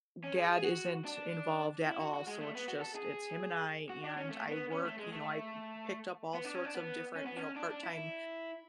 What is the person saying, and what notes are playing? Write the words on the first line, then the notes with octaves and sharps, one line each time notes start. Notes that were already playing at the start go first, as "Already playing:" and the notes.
dad isn't involved at all, so, it's just it's him and I, and I work, you know I picked up all sorts of different, you know, part time
C#4
G#4
G#4
F#4
D4
E4
F#4
F#4
G#3
A3
B3
F#4
A4
G#4
F#4
D4
C#4
A3
B3
C#4
A3
G#3
A3
B3
D4
C#4
D4
B3
C#4
B3
C#4
D4
D4
E4